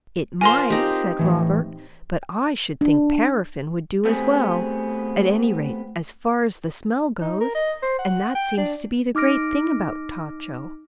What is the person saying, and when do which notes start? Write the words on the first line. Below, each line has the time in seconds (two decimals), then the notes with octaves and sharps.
'It might,' said Robert; 'but I should think paraffin would do as well--at any rate as far as the smell goes, and that seems to be the great thing about Tatcho.'
0.41 F4 A#4 C5 G#5 C6
0.70 C4 D#4 G4
1.19 A2 E3
2.81 D4
4.05 A3 B3 C4 G4 G#4
7.21 D#4
7.41 A#4
7.55 D#5
7.82 C5
7.99 F#5
8.35 G5
8.57 D4
9.15 D#4 D6 F6 A#6 D7